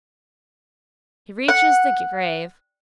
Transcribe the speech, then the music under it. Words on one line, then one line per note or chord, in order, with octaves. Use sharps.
He reaches the grave.
F#5